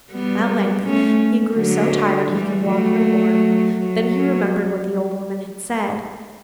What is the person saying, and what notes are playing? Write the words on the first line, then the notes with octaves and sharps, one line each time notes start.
At length he grew so tired he could walk no more; then he remembered what the old woman had said.
G3 B3
A3 C#4
D3 F#3
E3 G3
F#3 A3
F#3 A3